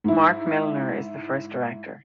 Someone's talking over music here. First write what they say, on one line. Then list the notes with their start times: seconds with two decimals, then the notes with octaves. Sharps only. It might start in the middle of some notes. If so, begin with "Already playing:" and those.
Marc Milner is the first Director.
0.04 G#2 E4